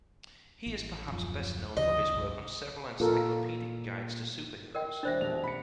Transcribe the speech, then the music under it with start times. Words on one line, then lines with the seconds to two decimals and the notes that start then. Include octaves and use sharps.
He is perhaps best known for his work on several encyclopedic guides to superheroes.
0.66 A1
1.10 D#1 F#2 F3
1.77 D2 C#3 F3 D#5
2.12 B1 F#2
3.00 A#2 F4 A4 A#4
4.75 A#4 D#5 G5
5.03 E1 D4 C5 D5 E5 A6
5.21 F1 B2 F7
5.44 B5 C#7